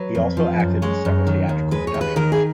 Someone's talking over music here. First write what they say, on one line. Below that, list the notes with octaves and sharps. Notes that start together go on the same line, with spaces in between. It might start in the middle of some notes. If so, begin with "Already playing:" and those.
He also acted in several theatrical productions.
Already playing: F#3 B4
F2
F3
F#2
G#3 C#5
F#2
D#3
D#2
G#3 B4
C#5
D#2
B4
D#3 A#4
G#4